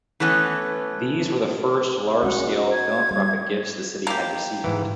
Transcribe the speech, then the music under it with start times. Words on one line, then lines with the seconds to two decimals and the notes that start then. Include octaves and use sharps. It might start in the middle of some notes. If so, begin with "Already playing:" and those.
These were the first large-scale philanthropic gifts the city had received.
0.20 E3 A3 B3 C#4
2.23 G#3 C#4 F#4 F#5
2.72 G#6
3.11 G3
4.07 A#3 G4
4.64 G#2 E3